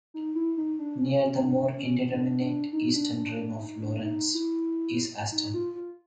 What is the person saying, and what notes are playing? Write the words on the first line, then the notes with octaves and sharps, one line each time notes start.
Near the more indeterminate eastern rim of Lorentz is Aston.
D#4
E4
D#4
D4
C#4
C#4
D4
C#4
D4
D4
D#4
D4
D4
D4
D#4
D4
D#4
E4
D#4
F4
F4